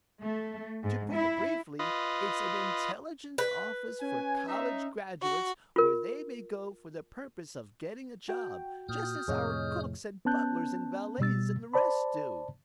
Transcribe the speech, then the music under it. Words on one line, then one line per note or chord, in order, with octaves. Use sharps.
To put it briefly, it's an Intelligence Office for College graduates where they may go for the purpose of getting a job, just as our cooks, and butlers and valets and the rest do.
A3
G#2
E4
F4 B4 D#5
B4
C#4 G#5
D#4 E5
F#4
F4 A#4
F#4 G5
A#2 D#6 F6 G6
F2 A2 C3 G#4 C#5 D#5
B3 C#4 A5 F#6 G6
B2 G3 E6 A6
C5 D5 A5 B5